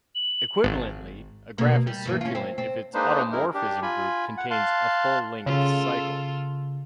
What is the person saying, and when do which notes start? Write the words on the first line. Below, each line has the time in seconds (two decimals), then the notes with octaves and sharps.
Equivalently, a graph is circulant if its automorphism group contains a full-length cycle.
0.15 F#7
0.64 G#1
1.58 B2 A#3
1.87 G3
2.06 G2 E3 A#3
2.21 C#4 F4
2.35 C4
2.58 C4
2.94 G#3 A#3 D4 D#4 B4 C5
3.32 F#2 G#3 E4 A#4
3.54 D4 G4
3.82 F4 G#5 B5
4.38 F#5
4.51 F5 A5 C6 F#6
5.46 C#3 F4 A4